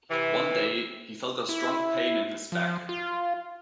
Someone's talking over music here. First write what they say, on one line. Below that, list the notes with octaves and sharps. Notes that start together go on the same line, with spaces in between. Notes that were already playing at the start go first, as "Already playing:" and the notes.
One day, he felt a strong pain in his back.
C3 E3
E4
F3
F4